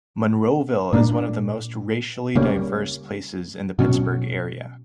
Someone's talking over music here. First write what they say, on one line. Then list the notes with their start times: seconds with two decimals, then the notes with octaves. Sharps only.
Monroeville is one of the most racially diverse places in the Pittsburgh area.
0.93 A#2 A#3 D4
2.36 C#3 G3 A#3 C#4
3.79 B2 F#3 C#4